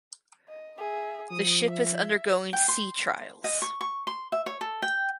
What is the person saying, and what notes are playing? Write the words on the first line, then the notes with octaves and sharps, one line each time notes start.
The ship is undergoing sea trials.
D#5
G#4 E5
F3 D#6
E5
G5
C6
D#5
C#6
C#6
C6
E5
C#5
A4
G5